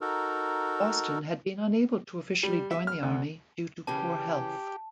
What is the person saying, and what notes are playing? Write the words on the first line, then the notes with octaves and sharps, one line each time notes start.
Boston had been unable to officially join the Army due to poor health.
D#4 F#4 A4 A#4
G3
E5
F6
D2
C#3 E3 C#4 G4 A5